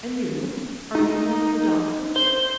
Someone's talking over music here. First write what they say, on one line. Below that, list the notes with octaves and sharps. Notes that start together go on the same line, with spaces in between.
"And you, are you one of the doctors?"
D#4
C5 G7